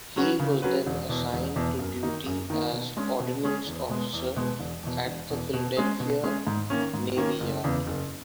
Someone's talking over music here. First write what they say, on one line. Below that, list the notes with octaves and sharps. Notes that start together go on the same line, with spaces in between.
He was then assigned to duty as Ordnance Officer at the Philadelphia Navy Yard.
F#3 C#4 F#4 B4
C#3
F#3 C#4 F#4 B4
E1
E2 B2
E1
E2 B2
F#2
D#3 A#3 D#4
F#2
D#3 A#3 D#4
B2
G#3 C#4 G#4
B2
G#3 C#4 G#4
E2
B2 G#3 B3
E2
B2 G#3 B3
E1
E2 B2
E1
E2 B2
B2
G#3 C#4 G#4
B2
G#3 C#4 G#4
G#2
D#3 A#3 C#4
G#2
D#3 A#3 C#4
F#1
E2 C#3 E3
F#1